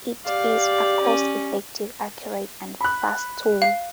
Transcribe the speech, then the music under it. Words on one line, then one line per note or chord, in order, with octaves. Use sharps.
It is a cost effective, accurate and fast tool.
G4 D5 F5
C#4
B5 F#6
F5